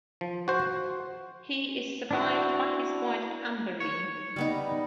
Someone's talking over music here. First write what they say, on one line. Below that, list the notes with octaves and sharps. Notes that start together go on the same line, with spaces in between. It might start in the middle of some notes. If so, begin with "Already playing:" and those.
He is survived by his wife, Ambereen.
F3
F#4 C5
D4 E4 F#4
C#5
G3 B3 D#4